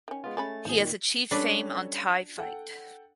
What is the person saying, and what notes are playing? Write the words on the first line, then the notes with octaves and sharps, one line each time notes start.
He has achieved fame on Thai Fight.
D#3 C#4
G#3 B3 F4
G#3 A3 C#4 B5 A6
G#1 F3 D#4 G#4
A#2 D#3
G3 C#4 D4 A4 B4
A4 F#5 G5